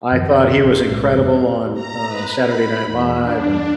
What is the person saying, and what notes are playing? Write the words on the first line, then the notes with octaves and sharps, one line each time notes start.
I thought he was incredible on, uh, Saturday Night Live, and
F#2 D#3 F3
D#2
A#1
B1 A2 G#3 A3
E2 G2
A#5
B4
B5
E2
D4